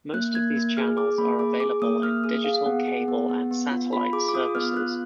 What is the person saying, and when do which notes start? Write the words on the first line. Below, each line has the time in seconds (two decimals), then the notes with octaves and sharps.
Most of these channels are available in digital cable and satellite services.
0.14 A#3 F#6
0.34 A#3 G#6
0.56 A#3
0.77 G#4 F6
0.97 G#4 D6
1.18 A#3 B5
1.39 G#4 D6
1.60 G#4 D6
1.82 A#3 D#6
2.03 A#3 F6
2.24 G#4 D#6
2.44 G#4 F5
2.66 B3 F#5
2.87 G#4
3.08 B3
3.30 B3
3.51 B3
3.71 F4
3.93 F4 B5
4.13 G#4 D6
4.29 D6
4.34 F4 D#6
4.55 B3 F6
4.76 F4 F#6